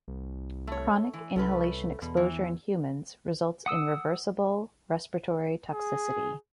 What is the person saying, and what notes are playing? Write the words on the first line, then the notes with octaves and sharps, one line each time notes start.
Chronic inhalation exposure in humans results in reversible respiratory toxicity.
C2
A3 C#5
E3
C2 A3 C#4 B4
E2 B2
E3
F#5 D#6 E6
G#4